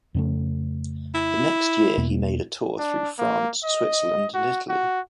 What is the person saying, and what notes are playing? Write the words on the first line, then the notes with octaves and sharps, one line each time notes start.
The next year he made a tour through France, Switzerland and Italy.
F2 C#3 A3
E4
E2 B2 A#3
D4
A#3
D#5
F#4
F#4